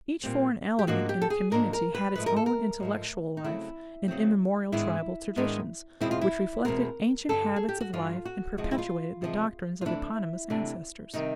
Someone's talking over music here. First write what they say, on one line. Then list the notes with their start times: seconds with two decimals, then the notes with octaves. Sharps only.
Each foreign element in a community had its own intellectual life and immemorial tribal traditions, which reflected ancient habits of life and perpetuated the doctrines of eponymous ancestors.
0.23 A#2 G3 C4
0.79 G4
0.87 G#2 F3 A#3 D4 F#4
1.09 G4
1.22 A4
1.30 G#4
1.51 G#2 F3 A#3 D4 A#4
1.73 A#4
1.95 B4
2.15 G#2 F3 A3 B4
2.26 A#4
2.37 A4
2.46 A#4
2.80 G#2 F3 A3
3.37 D#4
3.44 C#3 F#3 A3 C4 E4
4.08 C#3 F#3 A3 C4
4.72 G#2 D#3 G#3 B3 D4 E4
5.36 G#2 D#3 G#3 B3 D4
6.01 E2 B2 G#3 C4 E4
6.11 F4
6.21 E4
6.65 E2 B2 G#3 C4 A#4
7.29 G2 D3 G3 A4
7.56 G#4
7.69 G4
7.81 F#4
7.93 G2 D3 G3 F4
8.25 F#4
8.57 C3 F3 G#3 F#4
8.64 F4
8.71 E4
8.78 F4
9.22 C3 F3 G#3
9.81 F4
9.85 C3 E3 A3 D4 E4
10.50 C3 E3 A3 D4
11.14 C3 D#3 G3 D#4